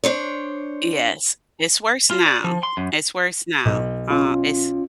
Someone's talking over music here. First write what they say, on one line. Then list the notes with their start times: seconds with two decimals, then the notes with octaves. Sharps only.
Yes. It's worse now. It's worse now. Uh, it's
0.04 D4 C5 C#5
2.11 F4
2.26 D5
2.44 F3
2.63 C6
2.77 F#2
3.65 B1
4.10 C#4 F4